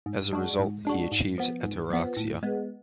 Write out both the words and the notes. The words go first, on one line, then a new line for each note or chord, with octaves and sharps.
As a result, he achieves ataraxia.
G#2
G#3 D4 F#4
G#2
G#3 D4 F#4
G#2
F3 B3
G#2
F3 B3
A2
G#3 B3